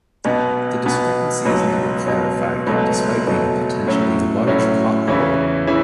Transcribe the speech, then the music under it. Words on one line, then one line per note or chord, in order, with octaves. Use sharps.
The discrepancy is never clarified, despite being a potentially large plot hole.
B1 B2 B3
B1 B2 B3
C#2 B2 F#3
C#2 B2 F#3
C#2 B2 F#3 A3
C#2 B2 F#3 A3
A2 F#3 C#4 E4
A2 F#3 C#4 E4
E2 C#3 E3 C#4 E4
C#3 E3 C#4 E4